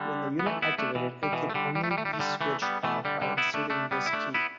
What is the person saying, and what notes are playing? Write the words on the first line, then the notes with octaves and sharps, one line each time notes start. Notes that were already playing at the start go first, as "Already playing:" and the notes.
When the unit activated, it could only be switched off by inserting this key.
Already playing: D3 G3
B3
E3 A3
B3 E4
A3 D4
B2 E3
G3
B2 E3
A3
D3 G3
G3
A3
G3
A3
G3
A3
D3 G3
E3 A3
G3 B3
E3 A3
D3 G3
D3 G3
B3 E4
A3 D4
A3 D4
G3 B3
E4
A3 D4
B3 E4